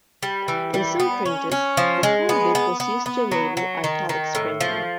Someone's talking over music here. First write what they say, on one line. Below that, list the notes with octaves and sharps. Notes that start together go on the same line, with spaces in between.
In some printers, the high bit was used to enable Italics printing.
G3
E3
G3
B3
C#4
C#4
F3
G#3
B3
B3
B3
B3
F#3
F#3
D#3
D#3
A2
F3